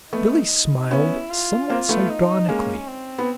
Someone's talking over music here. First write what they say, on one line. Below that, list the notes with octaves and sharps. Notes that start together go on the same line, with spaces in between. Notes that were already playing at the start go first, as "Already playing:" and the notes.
Billie smiled somewhat sardonically.
A3 B3 D#4
B3 C#4 E4
F4
A#3 C4
A3 B3
D#4
G#3 A#3 C#4
C4
B3